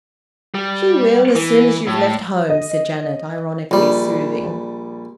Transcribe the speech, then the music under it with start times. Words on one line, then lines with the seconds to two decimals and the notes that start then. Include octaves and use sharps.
"She will, as soon as you've left home," said Janet, ironically soothing.
0.54 G3
1.36 E3
1.87 A2
2.49 D#5
3.71 A#1 G3